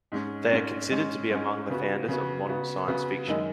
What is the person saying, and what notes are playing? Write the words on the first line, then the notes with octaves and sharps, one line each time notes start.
They are considered to be among the founders of modern science fiction.
G#2 G#3 C#4
G#2 G#3 C#4
G#2 G#3 C#4
G#2 G#3 C#4
C#3 B3 F#4
C#3 B3 F#4
C#3 B3 F#4
C#3 B3 F#4
F#2 D#3 G#3 D#4